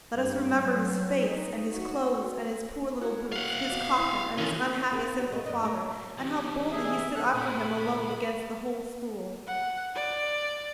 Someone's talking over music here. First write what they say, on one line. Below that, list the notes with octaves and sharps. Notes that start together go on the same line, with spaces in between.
"Let us remember his face and his clothes and his poor little boots, his coffin and his unhappy, sinful father, and how boldly he stood up for him alone against the whole school."
G2
F#3
D#4
F#4
E4 F#4 C#5
F5 F#5
B2 D5
E4
D#3 E3 C#4 D4 B5
A#3 G#4 A#4
F2
F#3 B3 G4
A3 D#5
F#2 D4 D#5
A3 G#4 A#4
E3 G3
G#4 E5
E2 A4 F#6
A#2 G#3 B5
F#5
D5